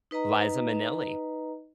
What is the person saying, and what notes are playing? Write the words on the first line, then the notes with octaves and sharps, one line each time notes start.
Liza Minnelli.
D#4 B4 D#5 A#5